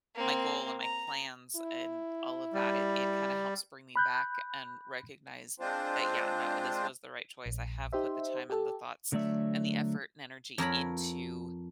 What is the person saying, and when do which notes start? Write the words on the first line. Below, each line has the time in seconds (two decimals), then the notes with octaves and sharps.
my goal, and my plans, and all of that, it it kinda helps bring me back and recognize that, "Yeah, no, this was the right choice. I have put the time, and the thoughts, and the effort, and energy into"
0.15 A#3 C4
0.82 A#5
1.56 E4
2.54 G3
3.96 B5 F#6 G6
5.60 G#3 C4 D4 F4 C5
7.46 A#1
7.93 D#4 G4 C5 E5
8.50 G4 A4
9.12 D3 F#3 A3 D5 E5
10.58 F2 A#4 C#5 B5